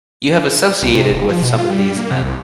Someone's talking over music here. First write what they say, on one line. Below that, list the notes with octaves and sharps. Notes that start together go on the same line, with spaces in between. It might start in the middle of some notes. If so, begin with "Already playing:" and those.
You have associated with some of these men.
C2
C3
D#1
F3
B2
F4
G3
G3
A#3
C3
C2